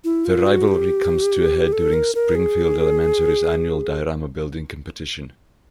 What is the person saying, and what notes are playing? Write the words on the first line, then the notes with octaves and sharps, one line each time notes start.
Their rivalry comes to a head during Springfield Elementary's annual diorama building competition.
E4
F4
F#4
G4
A4
A#4
A#4
G#4